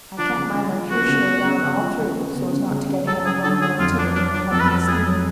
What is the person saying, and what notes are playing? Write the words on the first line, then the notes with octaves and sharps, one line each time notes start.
I kept my Mercutio down all through, so's not to get ahead of Romeo or Tybalt in the public esteem.
F3 D4
C#3
C#3
F3
B3 F#4
C#3
B3
C#3
C#3
F3
C#3
B3
C#3
C#3
C#3
C#3
F#3 A4
F#3 G#4
D3 A4
F#3 G#4
F2 F4
F#3 D4
F#3 D4
F#3 D4
F2 A4
B4
F#3 A4
F2 G#4
F#3